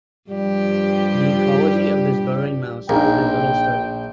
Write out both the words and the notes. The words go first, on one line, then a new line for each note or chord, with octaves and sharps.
The ecology of this burrowing mouse has been little studied.
G2 F3 G3 G4
A#1 D4 D#4 G#4 A#4 D5 G5